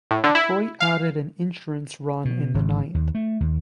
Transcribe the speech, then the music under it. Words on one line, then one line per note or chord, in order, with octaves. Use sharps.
Detroit added an insurance run in the ninth.
A2
D3
E4
F5
B2
G#1
D#2
A3
D#2